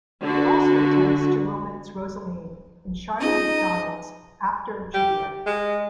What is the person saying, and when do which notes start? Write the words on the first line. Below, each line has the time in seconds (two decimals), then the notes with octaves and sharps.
He also attempts to romance Rosaline in Sharman Macdonald's "After Juliet".
0.22 D3 F#4
3.20 C#4 D#4 F4 G#4 D#5
4.94 G4
5.46 G#3